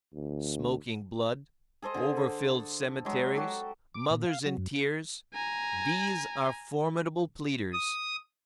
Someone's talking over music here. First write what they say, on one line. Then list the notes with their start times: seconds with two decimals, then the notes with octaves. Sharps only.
Smoking blood, over-filled cemeteries, mothers in tears,--these are formidable pleaders.
0.14 D2
1.82 G#4 A4 C5 D#5
1.94 D3 G#4
2.17 A4
3.05 F#3 G#3
3.35 F#4 G4 A4
3.94 D6
4.10 A#2
4.27 F5
4.46 F#3
4.57 F#2
5.34 G#5 A#5
7.73 D#6